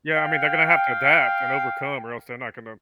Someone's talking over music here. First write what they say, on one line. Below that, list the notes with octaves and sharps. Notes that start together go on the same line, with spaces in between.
Yeah, I mean, they're gonna have to adapt and overcome or else they're not gonna
F5 G5